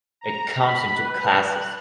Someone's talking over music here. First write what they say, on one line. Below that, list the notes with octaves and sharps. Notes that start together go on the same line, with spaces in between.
It comes in two classes.
A#5
B5
B4
F#6